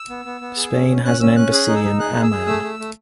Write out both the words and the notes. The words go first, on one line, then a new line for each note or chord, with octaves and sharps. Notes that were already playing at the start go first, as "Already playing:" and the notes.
Spain has an embassy in Amman.
Already playing: E6
B3
B3
B3
G#4
C#4
C#4
C#4 F#6
C#4 E6
C#4 F#6
G#4 F#6
D#4
E6
D#4
G#4 F#6
G#4
E6
G#4
A3 E6
A3
A3